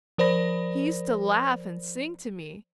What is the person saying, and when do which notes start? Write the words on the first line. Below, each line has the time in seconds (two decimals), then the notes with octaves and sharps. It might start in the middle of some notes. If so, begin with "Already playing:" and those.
He used to laugh and sing to me....
0.18 F3 A#4 C5 D5 B5 A#6